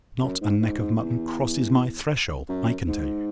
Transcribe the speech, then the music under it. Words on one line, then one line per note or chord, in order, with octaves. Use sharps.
Not a neck of mutton crosses my threshold, I can tell you.
F#2
G#2
G#2
G#2
E2
F#2
G#2